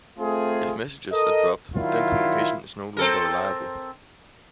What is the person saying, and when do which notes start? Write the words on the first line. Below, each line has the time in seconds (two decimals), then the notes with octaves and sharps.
If messages are dropped, then communication is no longer reliable.
0.18 A3 C4 F4 G#4
1.12 A4 A#4 D#5
1.73 D#3 F#3 E4 F4
2.97 C4 A4 A#4